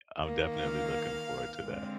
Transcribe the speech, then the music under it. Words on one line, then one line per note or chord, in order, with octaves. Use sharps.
I'm definitely looking forward to that.
D#3 A#3
F5
D3 G#3 C4